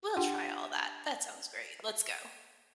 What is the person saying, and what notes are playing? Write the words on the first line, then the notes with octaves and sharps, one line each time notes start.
we'll try all that, that sounds great, let's go."
D4 F4 G4 F#5 G5 C6